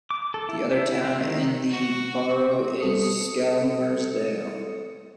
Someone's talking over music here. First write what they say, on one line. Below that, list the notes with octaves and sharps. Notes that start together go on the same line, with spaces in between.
The other town in the borough is Skelmersdale.
D6
A4
E4
E4
C4
D#3
F#4
G3 C4 A4 D#6 C#7